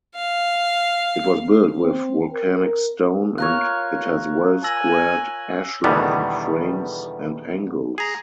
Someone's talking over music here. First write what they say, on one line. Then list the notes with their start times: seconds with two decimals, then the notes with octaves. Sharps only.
It was built with volcanic stone and it has well-squared ashlar in frames and angles.
0.15 F5
1.78 C4
2.32 A#4
3.38 F4 A#4 C#5 F#6
4.64 G#5 E6 A#6 F#7
5.84 E2 B2 D3 D#3 G3 B3
7.98 G#4 A#5